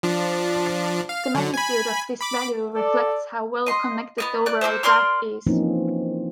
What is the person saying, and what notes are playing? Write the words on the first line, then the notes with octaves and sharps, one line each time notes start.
The magnitude of this value reflects how well connected the overall graph is.
F3 D4
F5
D3 F#3
G#5 B5
B5 D6
A4 D5
D#5 C6
B3 C4 D#5
D5 F#6
A#3 G#4 A4 C5
A#4 D5 C6 F6
E3 F3 A#3 C4 C#4 D#4